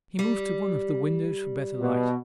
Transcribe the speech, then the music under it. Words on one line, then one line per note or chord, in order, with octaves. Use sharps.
He moved to one of the windows for better light.
G3
B2